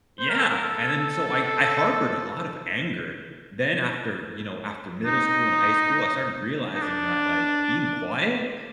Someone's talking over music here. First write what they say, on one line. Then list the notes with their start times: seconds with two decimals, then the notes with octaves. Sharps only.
yeah, and then so I I harbored a lot of anger. Then after you know, after middle school and high school, I started realizing that, like, being quiet
0.19 C5
0.29 A#4
0.39 A4
0.50 A#4
0.63 A4
5.06 D#4
6.74 D#4
6.83 D4